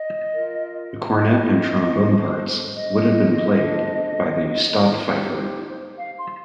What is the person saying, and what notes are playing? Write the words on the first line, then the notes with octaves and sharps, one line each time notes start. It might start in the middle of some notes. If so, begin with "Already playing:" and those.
The cornett and trombone parts would have been played by the Stadtpfeifer.
Already playing: D#5
F4 A#4
D#5
D4 A4 C5
D#5
D4 A4 C5
D#4 G4 C5
F5
C6